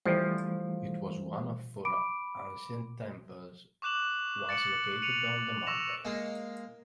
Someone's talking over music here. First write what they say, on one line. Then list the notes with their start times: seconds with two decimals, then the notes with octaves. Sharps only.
It was one of four ancient temples once located on the mountain.
0.06 E3 F3 G3 A3 C5
1.85 B5 D6 D7
3.82 C#6 D6 F#6 E7 F#7
4.49 A6 C#7 D7 F#7
5.02 C#7 D#7 F7
5.67 C#6 E6 A#6 E7
6.05 G#3 A#3